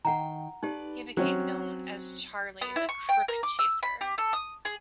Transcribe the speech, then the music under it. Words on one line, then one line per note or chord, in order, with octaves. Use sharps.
He became known as Charlie, the Crook Chaser.
D#3 F#5 G5 A#5
D#4 G4 B4 D5
F#3 C4 C#4 C#5
B3
E4
C#6
G5
A#4
D6
E6
B5
G4
A4
D#6
G#4